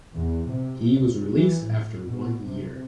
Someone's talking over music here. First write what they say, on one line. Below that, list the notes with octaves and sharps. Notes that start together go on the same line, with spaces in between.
He was released after one year.
E2
C3
C#2
E3
A2
B2
C3